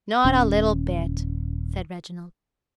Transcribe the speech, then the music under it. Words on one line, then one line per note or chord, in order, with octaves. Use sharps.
'Not a little bit,' said Reginald.
D#1 C#4